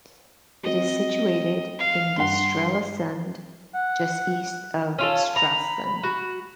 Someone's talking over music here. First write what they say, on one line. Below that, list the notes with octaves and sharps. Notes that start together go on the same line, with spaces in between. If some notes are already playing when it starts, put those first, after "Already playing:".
It is situated in the Strelasund just east of Stralsund.
F#3 C4 D#5
F5
G2 F#5 C6
F#5
C#4 F4 A4
A#5 B5
F#4